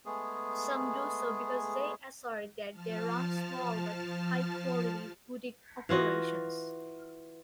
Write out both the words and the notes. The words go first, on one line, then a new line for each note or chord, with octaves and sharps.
Some do so because they assert that they run small but high-quality "boutique" operations.
G#3 A3 B3 G#4
F3 A5 F6
E3 F4 F#4 D#5